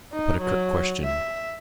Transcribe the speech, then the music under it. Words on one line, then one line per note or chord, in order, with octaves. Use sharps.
I put a curt question.
D#4
F#3
E5